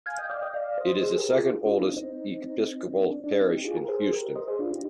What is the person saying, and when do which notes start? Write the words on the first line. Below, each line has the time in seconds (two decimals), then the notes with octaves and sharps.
It is the second-oldest Episcopal parish in Houston.
0.06 F5 G#5
0.18 D#5 G5
0.29 D5 F5
0.41 D#5 G5
0.54 D5 F5
0.78 C5 D#5
1.01 G#4 C5
1.18 G4 A#4
1.33 F4 G#4
1.49 D#4 G4
1.65 D4 F4
1.81 C4 D#4
1.96 C4 D#4
2.93 C4
3.08 D4
3.24 D4
3.41 C4 D#4
3.52 D#4 G4
3.64 F4 G#4
3.76 G4 A#4
3.88 G#4 C5
4.12 G4 A#4
4.35 C5 D#5
4.48 G#4 C5
4.59 D4 F4
4.71 D#4 G4